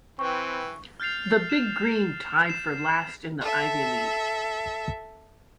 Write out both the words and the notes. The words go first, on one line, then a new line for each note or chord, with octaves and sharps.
The Big Green tied for last in the Ivy League.
E3 C4 B4 G5 C#6
F6 G6 A6 C7 F7
E7
C7 E7
A4 E5